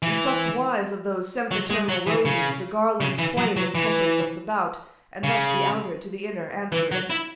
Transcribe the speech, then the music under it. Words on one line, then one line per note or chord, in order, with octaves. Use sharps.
In such wise of those sempiternal roses The garlands twain encompassed us about, And thus the outer to the inner answered.
E3
F#3
G#3
F#3
E3
C#3
C#3
E3
F#3
F#3
E3
C#3
E3
F#3
E4